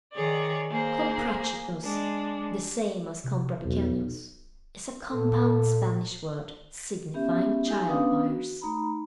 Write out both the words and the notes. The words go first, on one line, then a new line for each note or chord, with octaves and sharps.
Comprachicos, the same as Comprapequenos, is a compound Spanish word signifying Child-buyers.
D#3 G#4 C#5 D5
A#3 G#4 C5
G#3 D4
C3
B1 E2
A#2 A4
B3 C#4 G4 E5
D#4 G4 G#5
B3 C#4 D4 B4 F5 D#6
F#4
A3 D#4 A#5 B5